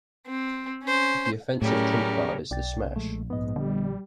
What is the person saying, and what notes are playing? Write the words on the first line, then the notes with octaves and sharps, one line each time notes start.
The offensive trump card is the smash.
C4
C#4 C5
A2 F#3 G3 A3 C#4 G#4 A#4
B1 D5 G5 A6
A#1 G#3 A3
G#2 B3 D#5
D3 G3